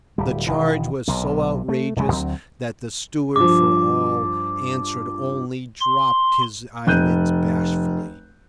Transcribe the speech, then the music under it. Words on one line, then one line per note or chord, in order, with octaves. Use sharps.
The charge was so outrageous that the steward for all answer only dropped his eyelids bashfully.
D1 G3
E1 D#3 E3
B1 C3
A3
E1 A2 C#3 G#3
D2 F#3 C4
G2 F3 D6
C6
F1 F#6 G6 D#7